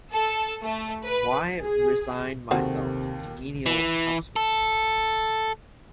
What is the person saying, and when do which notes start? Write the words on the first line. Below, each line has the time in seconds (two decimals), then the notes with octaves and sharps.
Why resign myself to menial housework?
0.13 A4
0.63 A3
1.04 B4
1.59 G#4
2.51 D#2 C3 D#3 C4 F#4 A4
3.66 E3
4.36 A4